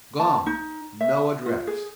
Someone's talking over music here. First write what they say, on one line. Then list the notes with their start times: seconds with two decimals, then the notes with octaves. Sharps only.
Gone--no address.
0.19 A5
0.46 D#4
1.01 E5
1.46 F4
1.67 G#4